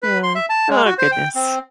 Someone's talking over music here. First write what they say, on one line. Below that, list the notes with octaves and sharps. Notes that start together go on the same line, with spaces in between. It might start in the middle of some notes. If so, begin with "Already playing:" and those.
Yeah. Oh goodness.
B4
C6
E5
A5
G#3
F#4
C5
G5
C4